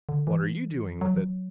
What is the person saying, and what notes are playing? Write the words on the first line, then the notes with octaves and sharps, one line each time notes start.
"What are you doing with it?"
D3
E3
F#3
E3
F#3